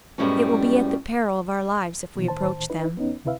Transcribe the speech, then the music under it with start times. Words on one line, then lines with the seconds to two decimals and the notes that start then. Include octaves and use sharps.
It will be at the peril of our lives if we approach them.
0.18 F#2 A2 G3 G#3 B3 C#4
2.15 B2 E3
2.28 A2 D#3 C5 A5
2.70 D#4 E4 B4
2.96 E2 B3 C#4 D#4
3.25 D2 C3 E4 B4 E5 F5